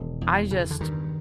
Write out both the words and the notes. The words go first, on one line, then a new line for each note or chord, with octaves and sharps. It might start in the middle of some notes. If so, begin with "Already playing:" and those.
I just
Already playing: E1 D#3
E2
C#3
D3
G2 D#3